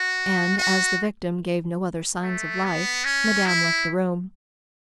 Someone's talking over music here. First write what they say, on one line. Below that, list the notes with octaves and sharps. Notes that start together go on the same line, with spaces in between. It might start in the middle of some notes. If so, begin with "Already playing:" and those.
And as the victim gave no other signs of life, Madame left the room.
Already playing: F#4
F#4
A3
B3
C#4
E4